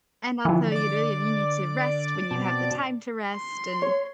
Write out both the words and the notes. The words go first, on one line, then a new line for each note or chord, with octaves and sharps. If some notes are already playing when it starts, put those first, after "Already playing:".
And, also, you really you need to rest when you have the time to rest. And,
D3 E3 F3
D5 D6
B2 C4 A5
C6
C#5